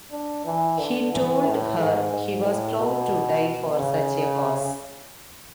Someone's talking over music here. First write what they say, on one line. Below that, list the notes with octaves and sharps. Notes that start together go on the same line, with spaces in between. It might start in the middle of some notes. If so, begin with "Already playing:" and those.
He told her he was proud to die for such a cause.
D4
E3
D3
E3
A2
G#2
G#2
A2
B2
C#3